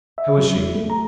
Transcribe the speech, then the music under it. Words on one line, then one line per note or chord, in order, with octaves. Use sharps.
How is she?
E5
F#3
G3
A3
A#5